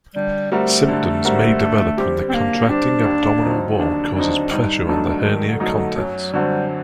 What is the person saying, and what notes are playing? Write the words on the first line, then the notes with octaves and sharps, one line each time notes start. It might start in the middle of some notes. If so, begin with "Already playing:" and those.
Symptoms may develop when the contracting abdominal wall causes pressure on the hernia contents.
D3 G3
G3 A3 C4 F#4 A#4
D3
G3 C4 F#4 A#4
D3
G3 C4 G4
C4
D3 A#3
G3 C4 D4 G4
D#2
D3 F#3 C4 D#4
D#2 D4
D3 F#3 C4 D4 D#4
G2 D#4
F#3 A3 D4 D#4 A4
G2 D#3
D3
F#3 A3 D#4 A4
D3
F#2 F#3
D3 F#3 G3 C4 F#4